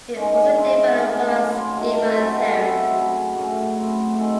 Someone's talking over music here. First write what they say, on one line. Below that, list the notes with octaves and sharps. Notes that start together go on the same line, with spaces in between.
He also developed Holland's schema theorem.
D#3 G#3 C#4 D#5
D#5
E3 C4 D#4 C5
D#5
E5
A5
E3 A3 D#4 G#5
A5
C6
F#3 C#4 E4
C6
C3 D#3 A3 D#4 C6
A5
A5
C5
F#3 C#4 E4 C#5
D#5
G#4 A4
F#3 A3 C4 G#4
F#3 C#4 E4
A2 F#3 A3 C#4 F#4
A2 F#3 C4 E4
D#3 A3 C4 G#4